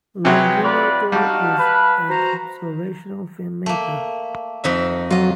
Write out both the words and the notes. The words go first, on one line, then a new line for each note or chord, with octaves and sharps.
Longinotto is an observational filmmaker.
C3 F#3 G#4 B4 G5
F4 B4 D5
G3 D#4 F#4 F5 A5
B4
F#4 C5 A#5
A3 A#3
F2 D#4 E5
F#3 F4 D#5